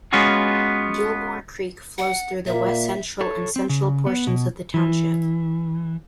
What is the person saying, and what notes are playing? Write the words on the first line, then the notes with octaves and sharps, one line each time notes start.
Gilmore Creek flows through the west-central and central portions of the township.
G#3 B3 C#4 F4 F#4 G#4
F#5
A#2 A#3 E5
A4 C#5
C4
C#3
B3
B2
E3